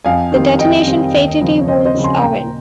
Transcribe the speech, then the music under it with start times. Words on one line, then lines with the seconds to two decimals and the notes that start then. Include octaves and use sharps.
The detonation fatally wounds Owen.
0.05 F2 F5 G#5
0.32 D#3 G3 C4
0.59 F2 D#5 G5
0.86 D#3 G3 C4
1.14 D#2
1.41 C#3 F3 C4
1.61 C#5
1.67 D#2 C5 D#5
1.85 C5 D#5
1.94 C#3 F3 C4
2.04 G#5 C6
2.22 A#2 G5 A#5